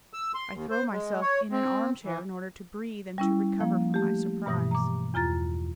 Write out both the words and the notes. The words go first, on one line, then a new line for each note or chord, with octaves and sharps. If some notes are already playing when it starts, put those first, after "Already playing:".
I throw myself in an arm-chair in order to breathe and to recover from my surprise.
E6
C6
D#2
C5
G#3
C#5
C4
E3
G3 C#4 E4
F3 A#3
A3 G4
G2 B2 E3 D#6 A#6
A#5 D6
E2 F4 A#5 A6